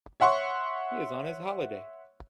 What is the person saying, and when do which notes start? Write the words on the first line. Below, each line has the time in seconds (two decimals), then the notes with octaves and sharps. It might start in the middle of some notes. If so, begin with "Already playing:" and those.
He is on his holiday.
0.20 C#5 E5 F#5 C6 C#6